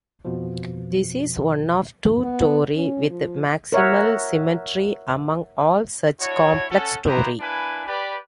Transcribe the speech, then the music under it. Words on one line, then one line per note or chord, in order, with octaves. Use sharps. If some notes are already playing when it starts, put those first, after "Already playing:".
This is one of two tori with maximal symmetry among all such complex tori.
F2 B2 F3
B3
C#4
F3
A#4 C#5 E5 F#5
D4 E4 F#4 C#5
C#4 A4 F#5
B3 E4 G4 B4 C5 A#5
A#3 D4 E4 B4 G#5
G4 B4 D5